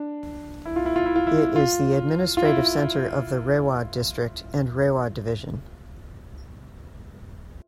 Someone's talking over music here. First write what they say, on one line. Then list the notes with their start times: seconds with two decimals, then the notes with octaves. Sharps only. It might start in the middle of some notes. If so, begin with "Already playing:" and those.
It is the administrative centre of Rewa District and Rewa Division.
Already playing: D4
0.65 E4
0.76 F4
0.86 E4
0.96 F4
1.06 E4
1.16 F4
1.27 E4
1.56 F4
2.37 F4
2.45 E4